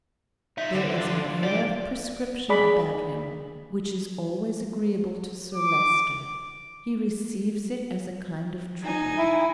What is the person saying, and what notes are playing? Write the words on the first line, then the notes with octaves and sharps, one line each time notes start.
There is an air of prescription about him which is always agreeable to Sir Leicester; he receives it as a kind of tribute.
D#4 F4 E5
D3 E3 C5
D4 F4
G#2 G4 D5
G#4 D5 B5
D6
D#4 G#5
E4